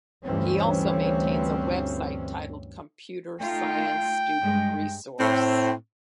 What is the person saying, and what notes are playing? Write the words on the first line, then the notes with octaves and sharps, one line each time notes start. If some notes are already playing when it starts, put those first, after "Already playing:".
He also maintains a website titled Computer Science Student Resource.
D2 G2 E3 C4 C#4
A3 D#4 F4 G5
G2 G#3
A2 C4